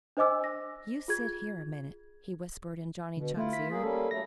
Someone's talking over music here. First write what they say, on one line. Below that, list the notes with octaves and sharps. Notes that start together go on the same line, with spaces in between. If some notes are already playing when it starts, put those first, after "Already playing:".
"You sit here a minute," he whispered in Johnny Chuck's ear.
D4 C5 D#5 G#5 D6 E6
A#6
F4 G#4 G#6
B2 D3
A3 E4 F4
B6
A#3 G#4
G3 A#3 C#4 A4
F#3 A3 A#6